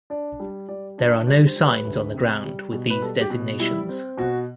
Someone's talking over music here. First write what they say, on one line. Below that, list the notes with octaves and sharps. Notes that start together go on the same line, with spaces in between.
There are no signs on the ground with these designations.
D4 D5
G3
G3 D5
D4
G3 D5
C5
G3
B4
D2
C3
G3
B2
B4
G3 A4
G4
B2
G3 E4
C4
B2 F#4